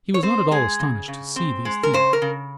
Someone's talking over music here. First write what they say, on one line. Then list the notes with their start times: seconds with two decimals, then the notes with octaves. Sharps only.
He was not at all astonished to see these things.
0.14 C#5
0.23 C4 C5
0.51 G#3 G#4
0.79 C#3
1.08 C#3
1.36 C4
1.65 G#3
1.83 A#4
1.93 C#3 C5
2.13 A#4
2.22 C#3